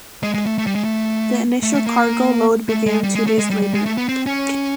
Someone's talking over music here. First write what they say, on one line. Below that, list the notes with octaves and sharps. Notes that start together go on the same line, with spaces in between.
The initial cargo load began two days later.
G#3
G#3
A3
A3
G3
G#3
A3
A3
A3
A#3
A3
G#3
G3
G#3
A3
G#3
G3
G3
G#3
A3
B3
C4
C#4